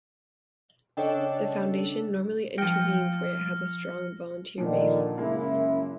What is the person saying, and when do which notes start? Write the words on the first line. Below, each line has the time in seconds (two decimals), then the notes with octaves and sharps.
The Foundation normally intervenes where it has a strong volunteer base.
0.97 C#3 D4 A4 C#5 D#5 G5
2.58 F3 G5 F6 A#6 C#7
4.58 A#2 D3 D#3 F3
5.18 F#2 C#3 G#3 A#3 E4